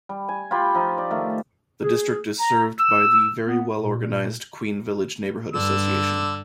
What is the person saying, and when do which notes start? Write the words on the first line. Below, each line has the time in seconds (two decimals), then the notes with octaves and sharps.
The district is served by the very well-organized Queen Village Neighborhood Association.
0.09 G3
0.29 G#5
0.51 F4 G4 B5
0.75 F3 D#4
0.98 D5
1.11 D#3 A3
1.83 G#4
2.40 A#5
2.80 E6
3.47 B3
3.75 A#2
5.53 G2 D3 E6